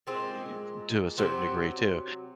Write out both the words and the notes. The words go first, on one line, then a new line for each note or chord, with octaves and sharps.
eh, to a certain degree too,
A#2 G#3 C4
C3 F#3 C4